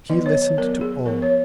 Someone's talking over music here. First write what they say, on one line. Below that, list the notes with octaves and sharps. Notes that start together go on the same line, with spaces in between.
She listened to all.
D#3 F#3 B3 D#5
C#5
C#5
F#3 B3 A#4
G#4
F3 B3 A#4
C#5